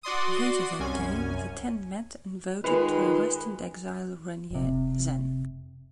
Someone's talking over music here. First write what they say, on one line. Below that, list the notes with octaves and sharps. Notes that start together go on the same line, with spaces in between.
Later that day, the Ten met and voted to arrest and exile Renier Zen.
F#4 D5 C6 D#6
C2 F#2 C#4 G#5
D#3 G#3 F4 B4
F1 C3